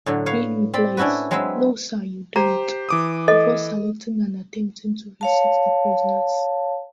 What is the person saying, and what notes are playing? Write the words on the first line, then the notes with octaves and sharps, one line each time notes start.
Bean replies "No sir, you don't" before saluting and attempting to visit the prisoners.
A2 D3 F#3
B4 C#5 F5
C4 G4 D5 B5
C#4 D4 E4 F#4 B4
F#3 G#3 C4 B4 E5
G4 C5 A#5
E3 D6 D#6
A4 D#5
C#5 F5 A5